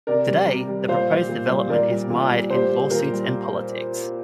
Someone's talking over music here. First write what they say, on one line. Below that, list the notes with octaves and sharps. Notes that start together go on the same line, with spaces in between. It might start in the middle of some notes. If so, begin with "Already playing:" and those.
Today, the proposed development is mired in lawsuits and politics.
C3 A#4 D5
G3
C3
G3
A#2 C5 F5
G3
A#2
G3
A#2 A#4 D5
G3
A#2
G3
A#2 G4 C5
G3
A#2 A#4
G3